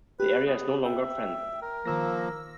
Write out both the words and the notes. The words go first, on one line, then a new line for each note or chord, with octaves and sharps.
The area is no longer fenced.
G4 B4
B3
E5 G5
A#4
D#3 F3 A#3 E6 A#6